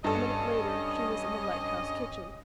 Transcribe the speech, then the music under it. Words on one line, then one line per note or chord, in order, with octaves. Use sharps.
A minute later she was in the lighthouse kitchen.
G2 C#4 G4 A4 D#5